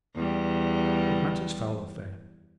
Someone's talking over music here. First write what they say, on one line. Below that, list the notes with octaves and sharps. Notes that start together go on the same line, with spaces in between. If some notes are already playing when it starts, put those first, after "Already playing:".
What matters foul or fair?
E2 G3